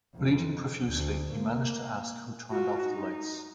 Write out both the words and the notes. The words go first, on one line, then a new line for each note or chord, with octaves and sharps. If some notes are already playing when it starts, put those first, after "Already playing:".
Bleeding profusely, he managed to ask who turned off the lights?
F2
D2
A#3
F4 F#4
D#4